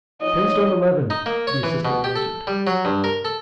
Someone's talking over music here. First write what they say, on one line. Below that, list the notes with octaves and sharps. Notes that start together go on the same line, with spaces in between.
"Ten stone eleven," the assistant answered.
F3 D#4 C#5 D#5
D#4
A#3
C#5
E3
B2
G4
A4
G3
F#3
G2
A#4
A4